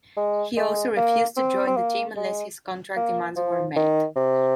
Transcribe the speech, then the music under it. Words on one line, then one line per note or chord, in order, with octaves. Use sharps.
He also refused to join the team unless his contract demands were met.
G#3
G#3
A#3
C4
C4
A#3
G#3
A#3
F3
D#3
C3